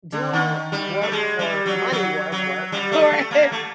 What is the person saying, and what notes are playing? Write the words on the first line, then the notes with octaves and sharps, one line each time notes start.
doing work for money work work, or then
D3
D#3
G3
A3
G#3
G3
F#3
F#3
F#3
G3
A3
A3
A#3
A3